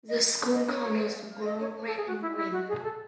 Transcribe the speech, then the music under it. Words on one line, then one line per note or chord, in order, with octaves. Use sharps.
The school colours were red and green.
D#5
D#5
C#5
D#5
C#5
A4
G#4
F#4
E4
E4
F#4
G#4
A4